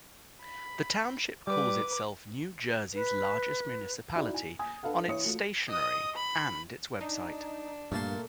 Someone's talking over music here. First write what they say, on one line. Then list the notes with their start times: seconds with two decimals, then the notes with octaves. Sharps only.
The township calls itself "New Jersey's Largest Municipality" on its stationery and its website.
0.42 B5
1.47 G3 B4 D6
2.94 B4
4.16 D#4 E4 F#4 D5 E5
4.34 G#5
4.59 G#5 D#6
4.83 D4 A4 B4 F5 F#5
5.08 E3 C#5 E5 D#6 C#7
5.24 F3 A3 F#4
5.68 D#5 D#6
6.15 B5
7.01 D4 D#4
7.92 G2 A#2 A3 A#3 A5 C6